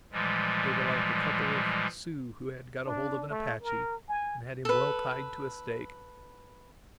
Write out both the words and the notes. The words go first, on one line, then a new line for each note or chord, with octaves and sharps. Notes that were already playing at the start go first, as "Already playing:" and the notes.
They were like a couple of Sioux who had got hold of an Apache and had him well tied to a stake.
A#2 E3 F3 G3 G#3
D4
A3
A#4
G#5
A4 B4